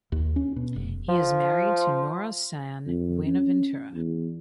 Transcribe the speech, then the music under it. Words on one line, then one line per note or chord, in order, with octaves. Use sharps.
He is married to Nora San Buenaventura.
D#2
C#4
B2
F1
F3
F2
C#4
E2